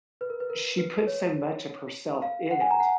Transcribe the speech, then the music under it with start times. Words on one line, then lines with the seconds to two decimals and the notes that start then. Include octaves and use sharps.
She put so much of herself in it,
0.21 B4
0.30 A#4
0.40 B4
0.50 A#4
0.78 B4
1.07 C#5
2.22 F5
2.51 F#5
2.61 G#5
2.71 A#5
2.80 F#5